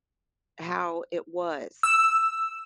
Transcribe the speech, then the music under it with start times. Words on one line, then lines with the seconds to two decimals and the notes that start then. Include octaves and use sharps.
how it was.
1.83 E6